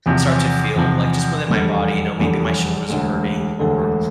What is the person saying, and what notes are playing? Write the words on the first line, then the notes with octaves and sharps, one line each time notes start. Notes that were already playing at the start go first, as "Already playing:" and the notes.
start to feel, like, just within my body; you know, maybe my shoulders are hurting or
E2 C3 F3
E2 C3 F3
F1 E2 D3 G3
F1 E2 D3 G3
E1 D2 D3
E1 D2 D3